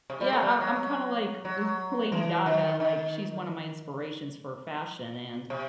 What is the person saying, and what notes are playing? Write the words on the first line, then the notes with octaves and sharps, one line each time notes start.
Yeah, I'm I'm kinda like, La Lady Gaga, like, she's one of my inspirations for fashion and,
C3
G3
A3
G3
F#3
F#3
E3
D#3
D#3
C3